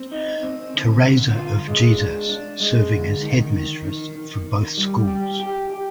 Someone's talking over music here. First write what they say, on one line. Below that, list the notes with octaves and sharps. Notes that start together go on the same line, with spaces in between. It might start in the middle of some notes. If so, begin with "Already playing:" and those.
Teresa of Jesus serving as Head Mistress for both schools.
Already playing: C4
D#4
C4
D3
D3
F4
G#3
D4
D4
G#3
D3
D#3
D#3
D#3
D#3
D#3
G3
G4
G4
G4